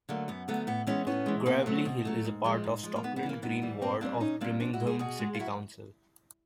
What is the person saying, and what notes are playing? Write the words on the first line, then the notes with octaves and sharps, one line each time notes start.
Gravelly Hill is part of the Stockland Green ward of Birmingham City Council.
D3 F#3 A3 A#3
F#2 B3
D3 F#3 A3 B3
A2 B3
E3 G#3 B3 C#4
A2 B3 C#4
E3 G#3
B2 A#3 C4
F#3 A3
B2
F#3 A3
G#2
F3 G#3
G#2
F3 G#3
A#3
G#2 B3
B3
E3 G3
A#3
G#2 B3
E3 G3
A#2 A#3 C4
G3 A#3 C4 D4
A#2 C#4 D#4
G3 A#3 C4 D4
B2 C4 D4
E4 F#4
G#3
F#4 G#4
B2 F#4 G#4
G#3
F4
F#2 E4 F#4